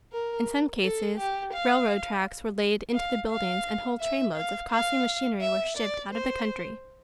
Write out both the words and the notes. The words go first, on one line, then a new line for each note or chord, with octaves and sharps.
In some cases railroad tracks were laid into the buildings and whole trainloads of costly machinery were shipped out of the country.
A#4
A4
G4
F5
F5
F5
E5
F5
F5
E5
D5
C5